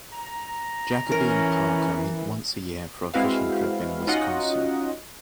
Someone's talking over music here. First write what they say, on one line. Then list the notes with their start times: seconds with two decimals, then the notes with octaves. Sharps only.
Jacoby and Parker meet once a year for a fishing trip in Wisconsin.
0.13 A#5
1.12 E3 C#4 A#4
3.14 G#3 C4 E4 F#4 B4 F5
4.07 C#4 D#4 F4 F#4 D#5 F#5